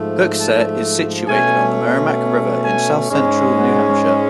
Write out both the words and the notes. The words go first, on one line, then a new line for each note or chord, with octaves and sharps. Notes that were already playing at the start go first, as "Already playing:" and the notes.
Hooksett is situated on the Merrimack River in south-central New Hampshire.
Already playing: G#2 F3 A3
A5
B2 A3 C#4 G#5
G#5
G#2 G#3 C#4
F#5